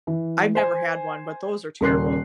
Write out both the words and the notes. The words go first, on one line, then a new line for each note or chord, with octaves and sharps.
I've never had one, but those are terrible.
E3
C5 G#5
D#1 C#3 A#4 C6 F#6 C7